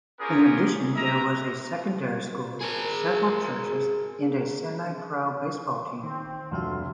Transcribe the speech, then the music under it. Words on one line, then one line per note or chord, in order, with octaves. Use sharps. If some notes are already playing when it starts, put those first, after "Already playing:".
In addition, there was a secondary school, several churches, and a semi-pro baseball team.
B3 C#4 F4 G4 G#4 A#4
A#4 D#5 E5 A#5
G#4 A#4
D#3 C4
F1 D2 F3 G3 F#4 A4 F5 C6